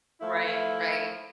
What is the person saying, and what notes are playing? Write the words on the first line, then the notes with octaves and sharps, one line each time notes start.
Right, right.
F3 A3 E4